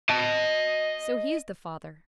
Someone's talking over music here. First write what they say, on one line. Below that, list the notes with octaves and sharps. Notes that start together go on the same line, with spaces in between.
"So he is the father."
D#5 A5